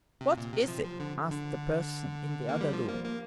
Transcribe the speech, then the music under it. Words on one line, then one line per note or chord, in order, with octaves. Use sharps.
"What is it?" asked the person in the other room.
C3
A#2
C3
F3
F3
D3
D3
A#3
G3
F3
A#3
A#3